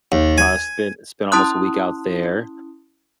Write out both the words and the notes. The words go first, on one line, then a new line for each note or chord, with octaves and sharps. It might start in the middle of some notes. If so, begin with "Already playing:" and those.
uh, spent spent almost a week out there.
D#2
G#5
C#4 E4 A5 C6 D#6 F#6